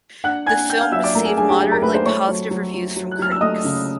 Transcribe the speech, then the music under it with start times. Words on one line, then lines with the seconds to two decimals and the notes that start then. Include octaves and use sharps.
The film received moderately positive reviews from critics.
0.24 D4 F#5 F#6
0.47 D4 G#5 G#6
0.69 D4 G5 G6
0.81 F5 F6
0.92 F#3 E5 E6
1.04 D5 D6
1.15 A3 A#4 A#5
1.26 G#4 G#5
1.37 D4 G#4 G#5
1.48 G4 G5
1.60 F#3 G#4 G#5
1.71 A#4 A#5
1.82 A3 B4 B5
1.94 C5 C6
2.05 A3 C#5 C#6
2.28 F#3
2.50 F#3
2.74 F#3
2.96 F#3
3.11 F#6
3.19 F#3 F6
3.31 E6
3.41 A3 D#5 D#6
3.64 C#3